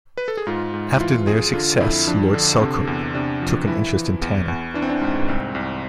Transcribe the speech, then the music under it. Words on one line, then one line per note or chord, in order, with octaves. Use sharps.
After their success, Lord Selkirk took an interest in Tanner.
B4
A4
G#4
G#2 F4
G#2
E4
E3 F4
F2 G#4
D3 F4
F2 E4
F3 D4
D3
C3
E2
C3 D4
F3
E3 E4
E3
E2
E2
E3 D4
C4
D4
G#2
C2 C4
C2